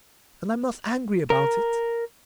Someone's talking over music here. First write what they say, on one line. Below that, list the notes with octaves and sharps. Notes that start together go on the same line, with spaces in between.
And I'm not angry about it.
A#4